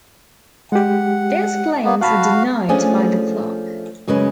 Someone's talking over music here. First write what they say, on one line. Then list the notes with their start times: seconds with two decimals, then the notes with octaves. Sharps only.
Those claims were denied by the club.
0.72 G#3 G4 F#5
1.84 A#3 B3
2.01 F#4 F5 F#5 A5 B5
2.69 F3 A3 C#4 D4 G#4
4.08 F#2 C#3 G#3 C#4 B4